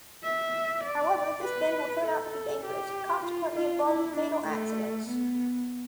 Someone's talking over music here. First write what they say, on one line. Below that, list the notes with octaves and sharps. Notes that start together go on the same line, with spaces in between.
However, this bend will turn out to be dangerous, consequently involving fatal accidents.
E5
D5
B4
A4
G4
F4
F4
E4
D4
A3
B3